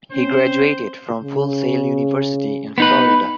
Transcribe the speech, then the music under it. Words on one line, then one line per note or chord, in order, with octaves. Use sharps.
He graduated from Full Sail University in Florida.
C4 C#4 C5
C#3
B3 D#4 B4